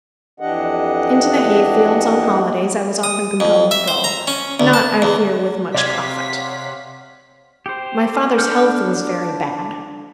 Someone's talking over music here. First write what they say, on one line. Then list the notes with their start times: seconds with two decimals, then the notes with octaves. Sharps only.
Into the hay-field on holidays I was often compelled to go,--not, I fear, with much profit. My father's health was very bad.
0.40 F2 E3 D4 G4 D#5 F#5
3.03 D#6
3.40 F2
3.71 E5
3.88 C5
4.04 A#5
4.27 C#4
4.60 D2
4.74 A5
5.02 E2
5.74 C3 C#5 D5 F5 F#5 C6 G#6 B6
7.66 G4 C5
8.38 D4 A4 F6 G6